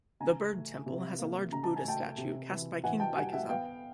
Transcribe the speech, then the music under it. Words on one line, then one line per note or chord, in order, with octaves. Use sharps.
The bird temple has a large Buddha statue cast by King Baikezan.
C#3 G#5 A#5
A3
C3
A#3
C#3 A#5
A5
G#5
A3 G5 A5
C3
E3
E3 F#5 G#5
G5 A5
G3 F#5 G#5
E5 F#5
B3 F5 G5